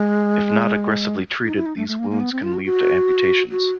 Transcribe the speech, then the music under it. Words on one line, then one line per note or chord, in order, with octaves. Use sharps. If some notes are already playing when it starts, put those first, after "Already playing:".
If not aggressively treated, these wounds can lead to amputations.
Already playing: G#3
D#4
E4
D#4
A3
A3
A#3
A#3
B3
C4
F4
F#4
F#4
F#4